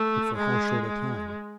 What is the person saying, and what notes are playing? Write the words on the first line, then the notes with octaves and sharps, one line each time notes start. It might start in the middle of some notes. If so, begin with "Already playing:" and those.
But for how short a time!
Already playing: A3
G#3
G#3